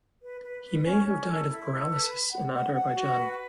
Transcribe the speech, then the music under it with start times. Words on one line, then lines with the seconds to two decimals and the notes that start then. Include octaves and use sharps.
He may have died of paralysis in Adharbayjan.
0.22 B4
0.42 B4
0.63 B4
0.84 C#4
1.05 C#4
1.26 A4
1.47 E4
1.68 A4
1.89 B4
2.10 B5
2.31 F#5
2.53 F#5
2.73 F#5
2.95 F#4
3.15 B4